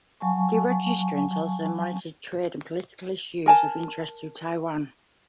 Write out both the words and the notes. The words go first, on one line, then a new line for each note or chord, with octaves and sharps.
The registrant also monitored trade and political issues of interest to Taiwan.
F#3 F5 G#5 A5 C#6
A#4 G#5 A5